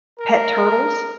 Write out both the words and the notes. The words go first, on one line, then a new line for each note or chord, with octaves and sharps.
pet turtles
A#4